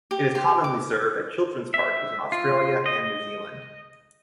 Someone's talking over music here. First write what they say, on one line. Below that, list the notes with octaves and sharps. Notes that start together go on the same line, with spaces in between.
It is commonly served at children's parties in Australia and New Zealand.
G4
G4 G5 C6
D6
E5
F4
D#5